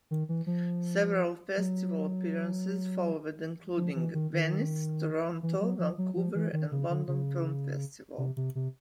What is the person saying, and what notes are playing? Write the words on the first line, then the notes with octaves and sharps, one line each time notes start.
Several festival appearances followed including Venice, Toronto, Vancouver, and London Film Festival.
D#3
E3
F3
F#3
F3
E3
D#3
D#3
E3
F#3
F3
F#3
F3
E3
D#3
C#3
D3
C#3
C3
C3
C3